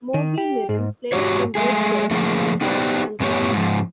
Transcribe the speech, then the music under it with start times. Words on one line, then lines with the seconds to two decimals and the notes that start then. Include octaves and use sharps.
Mogi Mirim plays in red shirts, shorts and socks.
0.14 D#3
0.38 G4
0.69 G#2
1.12 G#2 D#3 F#4 G4 C#5
1.55 G#3 A3 G#4
2.11 D3 F3 A3 A#3 G#4 C5
2.61 B3 D#4 G4 B4 C5 D5
3.20 F#2 A2 B3 D4 G4 C#5
3.53 G#2 F3